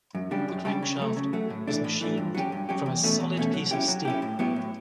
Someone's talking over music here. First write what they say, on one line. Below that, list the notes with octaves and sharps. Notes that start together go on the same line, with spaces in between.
The crankshaft was machined from a solid piece of steel.
F#2
C#3 G3 D4 G4
F#2
C#3 G3 D4 G4
C#3
F#3 A3
C#3
F#3 A3
A2
E3 A3 D4
A2
E3 A3 D4
G2
F#3 C#4 G4
G2
F#3 C#4 G4
E2
B2 A3 C#4
E2
B2 A3 C#4
F#3
C#4 E4 G4
F#3
C#4 E4 G4
A2
F#3 B3 E4 G4
A2